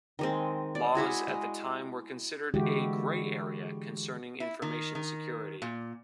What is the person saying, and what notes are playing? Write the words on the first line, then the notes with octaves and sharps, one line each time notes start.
Laws at the time were considered a "gray area" concerning information security.
D#3 G#3 C4
D5
G#3 E4 F#4 G#4
G#3
D3 E3 G#3 E4 F#4 G4
E4
D#3
D#3
A#2